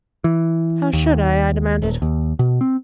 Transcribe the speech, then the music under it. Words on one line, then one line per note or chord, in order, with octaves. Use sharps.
"How should I?" I demanded.
E3
D#2
D#1
D#2
B2
C4